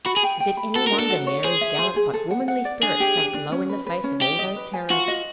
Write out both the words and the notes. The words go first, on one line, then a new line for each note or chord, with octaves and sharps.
Is it any wonder Mary's gallant but womanly spirit sank low in the face of all those terrors?
F#4 B5
G#4
G5
G5
B5
F#4 A4
A#4
D4
A4
F#4
C#5
G#4 C5
E5
C5
G#4
A4
F#5
F#5
D5
D4 G#4
G4
D4
D4
C#4
B4
B4
C#4
G4 D#5
D#5
B4
G#5
F4 F#4
D#5